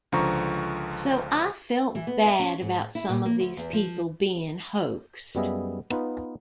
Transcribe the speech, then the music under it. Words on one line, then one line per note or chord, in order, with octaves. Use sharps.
So I felt bad about some of these people being hoaxed.
C#2 D3 F3 A#5 C#6
E3
B3
E5
C#4
G#2
E4
A#2
A#3
D2
E2
F3
F#2 G3 B3 G#4 D#5 E5
B3 D#4 F4 B4